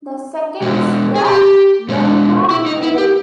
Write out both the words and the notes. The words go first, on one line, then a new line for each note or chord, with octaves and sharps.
The second is the Vermont Rail.
B2 G#3
G#4
G4
B2 G#3
E4
D#4
E4
G4